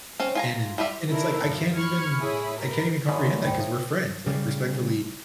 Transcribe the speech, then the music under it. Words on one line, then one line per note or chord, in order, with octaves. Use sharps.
and and and it's like, I can't even I can't even comprehend that 'cause we're friends, like, respectfully,
C4 C#4
F4 G#5 A#5
G3 F4 G4 E5
D#3 E3 D4 E4 A4 A#4
F#2 A2 F3
B5 C#6 F6 G#6 C#7
A2 E4 G#4 C#5 B5
G4 A#4 B4
C2 G#2 B2 C#4 E4 G#5
D2 G2 C5 C#5 G5 B5
F4 E5 D#6
C#3 G3